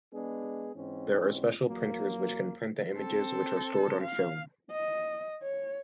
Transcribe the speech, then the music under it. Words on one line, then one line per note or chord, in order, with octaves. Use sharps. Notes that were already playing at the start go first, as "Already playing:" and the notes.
There are special printers which can print the images which are stored on film.
G#3 B3 D4 G#4
G#2 E3 C4 C#4
E2 F#3 A#3
C4 A4
F5
D#5
C#5